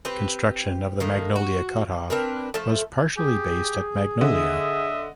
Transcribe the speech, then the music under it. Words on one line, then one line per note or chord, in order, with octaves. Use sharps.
Construction of the Magnolia Cutoff was partially based at Magnolia.
C4 G4 B4
A2 D#3 A#3
F#4
C4 D4 A#4 B4
F3 A3 A4
G4 G#4
D3 D#5 E5